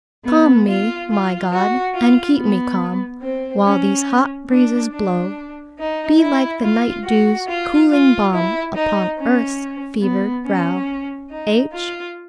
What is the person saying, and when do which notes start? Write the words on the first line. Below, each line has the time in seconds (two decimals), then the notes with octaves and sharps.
"Calm me, my God, and keep me calm While these hot breezes blow; Be like the night-dew's cooling balm Upon earth's fevered brow." --H.
0.24 B3
0.67 F4
1.09 F4
1.51 F#4
1.94 F4
2.36 B3
3.22 C4
3.64 C#4
4.49 D4
4.91 D4
5.76 D#4
6.18 E4
6.61 F4
7.04 F#4
7.46 F4
7.89 F4
8.32 E4
8.74 D#4
9.17 C#4
10.02 B3
10.44 C#4
11.29 D#4
11.72 F4